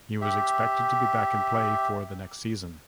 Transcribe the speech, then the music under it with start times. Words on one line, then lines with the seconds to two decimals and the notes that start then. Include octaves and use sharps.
He was expected to be back in play for the next season.
0.21 G4 E5